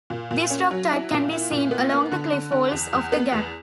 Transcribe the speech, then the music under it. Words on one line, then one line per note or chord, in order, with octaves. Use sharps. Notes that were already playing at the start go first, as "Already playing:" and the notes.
This rock type can be seen along the cliff walls of the Gap.
A#2
A#2
C#4
F#3
E4
A#2
E4
A#2
B3
A#3
D3
D3
D3
E2
E2
B3
E2